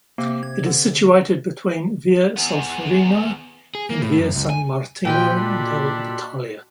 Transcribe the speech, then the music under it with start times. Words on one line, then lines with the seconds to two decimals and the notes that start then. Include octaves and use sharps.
It is situated between Via Solferino and Via San Martino della Battaglia.
0.18 C3 A#3
0.43 G#6
0.66 D3
2.36 B3 G#4
3.75 G#4
3.90 A#3
4.02 A2
4.19 F#2
4.35 C#2
4.50 G#5
5.05 A#2 F#4 G4 A4 D#5 G5 B5 C6
5.37 D4